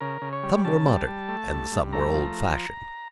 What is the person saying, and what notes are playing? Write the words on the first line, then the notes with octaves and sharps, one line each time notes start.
Some were modern and some were old-fashioned.
C#3 A#4
C#3
C#5
G3
C#3 A5
G3
G3
A3
G2
G2
A3 A#5
F3